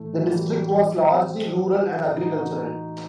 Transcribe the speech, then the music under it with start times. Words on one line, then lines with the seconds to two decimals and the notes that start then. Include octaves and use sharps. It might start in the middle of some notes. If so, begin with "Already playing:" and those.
The district was largely rural and agricultural.
Already playing: A2 E3 A3
0.16 F#3
0.27 E3
0.37 G3
0.47 G3
0.79 B2
1.11 C4
2.06 A2 E3 E4
2.17 D#4
2.27 F#4
2.38 F#4